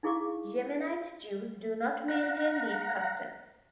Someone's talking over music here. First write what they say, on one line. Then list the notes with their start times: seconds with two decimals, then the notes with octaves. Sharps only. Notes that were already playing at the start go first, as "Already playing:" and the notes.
Yemenite Jews do not maintain these customs.
0.03 D#4 E4 G#4 F5 C#6 D6
2.08 F5 F#5 A#5 F#6 A#6